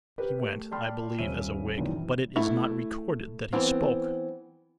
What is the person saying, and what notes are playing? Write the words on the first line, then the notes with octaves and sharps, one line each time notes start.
He went, I believe, as a Whig, but it is not recorded that he spoke.
G4 A#4 B4
A3
D5 G5 A5 B5 C6 F6
D#1 C#5 E5 D#7
C#2 F#2 A#2 D#3 E3
E3
A3 E4
E3 B3 C4